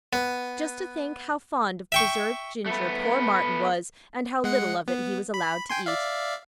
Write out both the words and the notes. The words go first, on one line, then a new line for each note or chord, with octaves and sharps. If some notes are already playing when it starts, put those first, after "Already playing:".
Just to think how fond of preserved ginger poor Martin was, and how little of it he was allowed to eat!
B3
E5 G5 C#6
A3 B3
G#3 F#5 C#7
B3
B5
G5 G#5 C6
D5 E5 F5